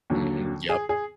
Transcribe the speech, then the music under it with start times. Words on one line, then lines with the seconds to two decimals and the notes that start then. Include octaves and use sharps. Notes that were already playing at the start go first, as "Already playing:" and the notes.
Mhm. Yep.
0.10 D#2 D3 F#3
0.69 G#4
0.89 G#4